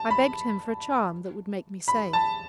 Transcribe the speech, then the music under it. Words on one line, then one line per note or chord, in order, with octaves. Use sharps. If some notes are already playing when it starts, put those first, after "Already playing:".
I begged him for a charm that would make me safe.
Already playing: A5
B5
B5
A5